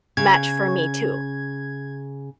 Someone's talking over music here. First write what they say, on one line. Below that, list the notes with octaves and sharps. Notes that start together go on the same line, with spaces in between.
match for me too."
C#3 G#6